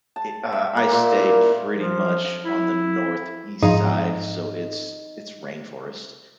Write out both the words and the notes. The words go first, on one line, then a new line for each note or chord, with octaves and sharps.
it uh, I stay pretty much on the northeast side, so it's it's rainforest.
A5
E5
A#3
A#2
E4
F3
E4
G#2 F3 D#4